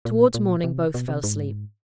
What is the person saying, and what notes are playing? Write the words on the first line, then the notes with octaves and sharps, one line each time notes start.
Towards morning both fell asleep.
A#2
A#2
C3
B2
C3
G#2